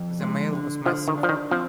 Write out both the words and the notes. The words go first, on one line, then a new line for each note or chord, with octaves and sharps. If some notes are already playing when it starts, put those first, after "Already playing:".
The mail was massive.
Already playing: F2
G#3
D3
D3 F3
D#3
D4
F3
D#3
F3 C4